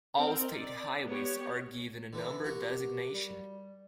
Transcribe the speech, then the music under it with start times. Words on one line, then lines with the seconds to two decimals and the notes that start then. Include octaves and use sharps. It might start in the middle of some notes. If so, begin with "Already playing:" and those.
All state highways are given a number designation.
0.16 C4 A#4 D#5
0.52 D5
1.05 B3 G4 C#5
2.13 D3 E3
2.44 F#4 G4 A#4
3.13 G3